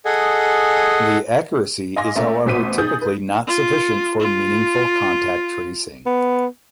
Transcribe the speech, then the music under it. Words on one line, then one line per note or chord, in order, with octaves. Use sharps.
The accuracy is however typically not sufficient for meaningful contact tracing.
G#4 A4 D#5 F#5 G#5
D#5 F5 G#5 C6 D6 A#6
A3 C#4 A#4 E5
A1 B2 C5 B6 D#7
D#4 G#4 D#6 G6 A6
B4
F4
F4
B3